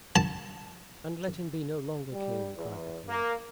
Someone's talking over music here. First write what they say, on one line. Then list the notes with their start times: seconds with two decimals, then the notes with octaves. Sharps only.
"And let him be no longer king," cried the queen.
0.16 A5
2.13 G3
2.55 E2
3.09 A#3